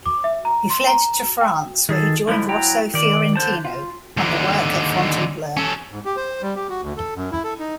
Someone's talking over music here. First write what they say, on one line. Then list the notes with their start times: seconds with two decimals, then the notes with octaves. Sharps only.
He fled to France where he joined Rosso Fiorentino in the work at Fontainebleau.
0.06 D6
0.24 E5
0.45 A#5
0.70 C6
0.87 A#5
1.41 G5
1.89 D#3 G#4 A4
2.27 D3 F3 G#3 E4
2.49 F#3 E4 G5 A#5
2.94 D#3 D5
3.36 D3 C5 A5
3.65 F4
4.17 D#2 D3
5.57 C#4 A4
5.91 G#2
6.05 G4
6.17 C5
6.42 G3
6.56 G4
6.70 F#4
6.82 D2
6.97 A4
7.15 F#2
7.32 E4
7.44 A4
7.59 D#4